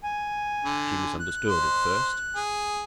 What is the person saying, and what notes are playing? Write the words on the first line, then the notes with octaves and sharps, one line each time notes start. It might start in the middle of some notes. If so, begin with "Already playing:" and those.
She misunderstood at first.
G#5
D3
F#6
C5
G#4